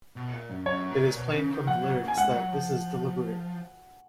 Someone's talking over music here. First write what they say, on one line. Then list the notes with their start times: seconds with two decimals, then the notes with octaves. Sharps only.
It is plain from the lyrics that this is deliberate.
0.16 B2
0.33 A#2
0.49 F#2
0.66 F#2 C#5
0.91 A#2
1.16 B2
1.34 C#3
1.50 D#3
1.67 F3 F#5
1.80 F#3
2.05 A#3 G#5
2.18 G#3 F#5
2.35 F#3
2.51 F3